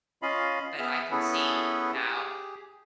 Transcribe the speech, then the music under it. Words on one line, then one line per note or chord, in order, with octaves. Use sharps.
But I can see how
C#4 F4 D#5 F5 B5
B3 G#4 E5 F6
B3 C#4 E4 G#4 A4 B4
G4 G#4